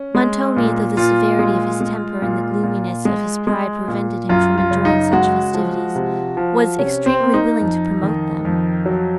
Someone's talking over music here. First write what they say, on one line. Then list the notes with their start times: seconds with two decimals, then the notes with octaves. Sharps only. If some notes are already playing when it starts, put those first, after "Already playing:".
Montoni, though the severity of his temper and the gloominess of his pride prevented him from enjoying such festivities, was extremely willing to promote them.
Already playing: C#4
0.15 G#3
0.56 A#2
0.97 A#2 F4
1.39 G#3
1.81 G#3
2.22 A#2
2.63 A#2
3.05 G#3
3.47 G#3
3.88 A#2
4.29 F#2 F4
4.58 F4
4.71 C#3
4.85 D#4
5.13 G#3 F#4
5.54 F3
5.96 C3
6.37 F3
6.78 C3 C#4
7.06 C4
7.20 A#3
7.34 D#4
7.61 F2
8.03 D#3
8.45 F2
8.86 F#3